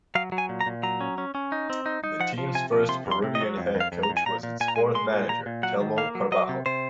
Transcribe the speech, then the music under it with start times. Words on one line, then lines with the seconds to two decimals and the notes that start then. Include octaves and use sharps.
The team's first Peruvian head coach was its fourth manager, Telmo Carbajo.
0.15 F#3 F5
0.32 F#3
0.38 G#5
0.49 A#2
0.61 A#5
0.66 A#2
0.83 F#3 A#5
1.01 C#4
1.18 C#4
1.35 C#4
1.52 D#4
1.70 C4
1.86 D#4
2.04 D#4
2.20 F3 F#5
2.38 F3
2.55 C3 G#5
2.72 F3
2.89 C3 C6
3.06 F2
3.11 C6
3.24 C3
3.35 D#5
3.41 F#3
3.57 F2
3.75 F2
3.80 F5
3.92 F2
4.03 A#5
4.10 F2
4.17 G#5
4.26 A#2 A#5
4.43 A#2
4.60 A#2 G#5
4.68 A#5
4.76 G#3 G#5
4.95 G#3 C6
5.12 A#2
5.29 A#2 A#5
5.46 A#2
5.63 F#3 F#5
5.81 D#3
5.98 A#3 F5
6.15 F#3
6.32 F#3 D#5
6.49 C3
6.66 C3 C5